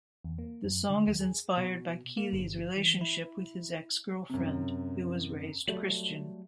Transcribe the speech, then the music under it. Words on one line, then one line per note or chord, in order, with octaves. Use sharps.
The song is inspired by Keelys relationship with his ex-girlfriend who was raised Christian.
E2
A#3
F#2
D3
D#2
G#4
B2
A#3
G1
E3
E4
F#2 C3
F#3 G3 A3